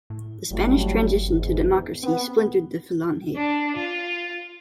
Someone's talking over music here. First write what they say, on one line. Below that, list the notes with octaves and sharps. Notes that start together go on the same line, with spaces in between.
The Spanish transition to democracy splintered the Falange.
A2
G1 A2 F#3 G3
E2 G#2
B3 C4
D4
F4